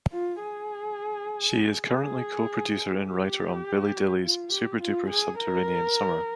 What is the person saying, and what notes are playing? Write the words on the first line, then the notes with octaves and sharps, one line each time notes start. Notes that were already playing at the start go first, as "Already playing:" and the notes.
She is currently co-producer and writer on "Billy Dilley's Super-Duper Subterranean Summer".
F4
G#4
G#4
G4
F4
G4
F4
G#4
A#4